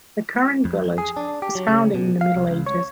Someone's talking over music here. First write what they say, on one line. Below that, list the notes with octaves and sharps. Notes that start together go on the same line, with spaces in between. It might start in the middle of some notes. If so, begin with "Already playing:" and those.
The current village was founded in the Middle Ages.
F2
G#4
D4
G4
F#3
C#3
B2
F5
C2
C#2
C#5